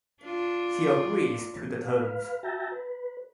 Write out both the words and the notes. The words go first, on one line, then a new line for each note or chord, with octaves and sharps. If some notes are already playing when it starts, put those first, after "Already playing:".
He agrees to the terms.
D4 F4
B4 F5
F#4 E5 G5 A5 A#5
B4